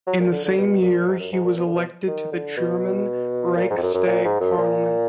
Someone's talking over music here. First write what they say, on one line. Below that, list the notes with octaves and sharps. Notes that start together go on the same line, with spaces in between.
In the same year, he was elected to the German Reichstag parliament.
F#3
A#2
D3
D3
B2
A#2
G#2
F#2
G#2
A#2
B2
D3
B2
D#3
D3
B2
A#2
G#2
F2
F#2
F#2
A#2
G#2
F#2
A#2